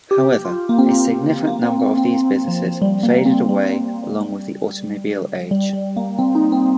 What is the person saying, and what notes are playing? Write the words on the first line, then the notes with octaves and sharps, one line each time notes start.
However, a significant number of these businesses faded away along with the automobile age.
G4
F4
A#3
C4
A#3
C4
C4
C4
F3
F3
G3
A#3
C4
G3
G3
G3
A#3
C4
D#4
C4